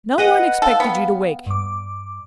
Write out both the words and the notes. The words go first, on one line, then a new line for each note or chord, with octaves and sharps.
No one expected you to wake.
B4 D#5 F#5 F#6
A4 F5 G5
B3
G2 D6